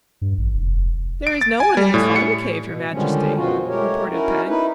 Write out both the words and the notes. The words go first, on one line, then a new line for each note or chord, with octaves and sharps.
"There is no one in the Slimy Cave, Your Majesty," reported Pang.
G2
A1
F1
D7
A6
G#5
G3
A2
C#7
B2
D3 D#3 F3 G3 G#3 C#4
F#2 B2 F3 F4 F#4
G#3 A3 G4 A#4 C#5
C#4 D#4 E4 F#4 A#4
D#4 E4 B4